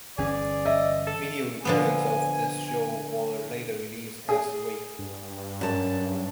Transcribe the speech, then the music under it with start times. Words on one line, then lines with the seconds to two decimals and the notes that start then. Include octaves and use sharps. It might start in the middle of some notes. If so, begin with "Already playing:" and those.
Video recordings of this show were later released as "Wake".
0.18 G1 E3 C#4 G#4 D5
0.66 D#5 E5
1.07 A4
1.65 D3 F3 B3 G#5
4.29 G#4
4.99 G2
5.61 F#2 A5